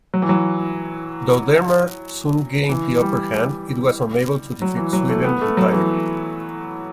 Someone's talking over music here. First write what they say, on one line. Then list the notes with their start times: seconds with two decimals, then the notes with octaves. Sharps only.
Though Denmark soon gained the upper hand, it was unable to defeat Sweden entirely.
0.14 F#3
0.22 E3
0.29 F#3
2.69 E3
3.01 G3
4.62 F#3
4.77 E3
4.93 F#3
5.09 A3
5.24 B3
5.41 A3
5.57 F#3
5.72 E3